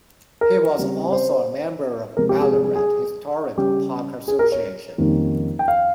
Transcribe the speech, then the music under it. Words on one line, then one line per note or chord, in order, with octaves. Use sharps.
He was also a member of Ballarat Historical Park Association.
A#4
C#3 G3 C4
C5
C3 F3 G#3 A#4
G4
G#4
G#4
G#4
G#4
C#3 G3 C#4 G4
G#4
A#4
C#5
F2 D#3 G3 A#3 C#4
G5
F5